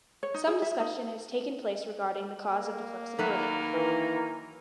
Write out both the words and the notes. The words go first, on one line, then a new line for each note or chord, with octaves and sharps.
Some discussion has taken place regarding the cause of the flexibility.
C#5
D#4
G#4
E5
D#4
A#3
D#3 F#3 B4
E3 A#5